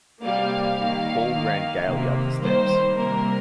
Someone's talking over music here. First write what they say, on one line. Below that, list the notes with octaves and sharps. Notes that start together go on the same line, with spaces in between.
Paul ran gaily up the steps.
C3 G3 A#3 F5
D#3 A#3
D#3 A#3
C3 D#3 A#3
D#3 G3 A#3 C5
C3 G3 A#3 A#4